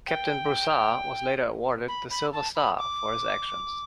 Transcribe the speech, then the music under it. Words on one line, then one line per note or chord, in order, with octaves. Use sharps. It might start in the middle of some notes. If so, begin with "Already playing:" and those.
Captain Broussard was later awarded the Silver Star for his actions.
G5
B5
B5
A5
B5
D6